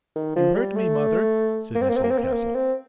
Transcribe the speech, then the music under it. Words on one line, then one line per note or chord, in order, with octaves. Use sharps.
"You hurt me, mother," said Miss Oldcastle.
D#3
F3
G3
A3
A#3
C4
A#3
C4
A#3
C4
A#3
C4
A#3
C4